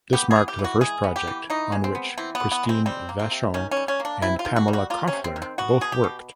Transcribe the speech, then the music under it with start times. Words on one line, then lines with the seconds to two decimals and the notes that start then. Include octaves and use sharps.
This marked the first project on which Christine Vachon and Pamela Koffler both worked.
0.13 B3 G4
0.31 G#4
0.36 E3
0.48 G4
0.59 E3
0.64 F#4
0.81 G#3 G#4
1.04 B3
1.16 G4
1.28 E3
1.50 E3 D#4
1.72 G#3
1.84 C4
1.95 B3
2.18 E3 C4
2.35 B3
2.40 E3
2.52 B3
2.63 G#3
2.69 C4
2.86 G3 C4
3.09 A#3
3.19 C4
3.31 C3
3.54 D#3 C#4
3.71 C#4
3.77 G3
3.88 C#4
4.00 A#3
4.05 D4
4.22 C3 E4
4.39 F4
4.45 D#3
4.56 F#4
4.68 G3
4.73 F#4
4.90 A#3 F4
5.08 C#4
5.13 C3
5.24 C4
5.36 D#3
5.42 C4
5.58 B3 F#4
5.81 B2 G#4
5.92 G4
6.04 B2